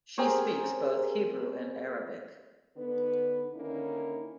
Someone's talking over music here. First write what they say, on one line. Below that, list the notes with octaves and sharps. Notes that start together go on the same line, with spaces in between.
She speaks both Hebrew and Arabic.
C4 G4 G#4 A#4 C5 C#5
D3 B3 D#4 B4
D3 D#3 A#3 C#4 D#4 E4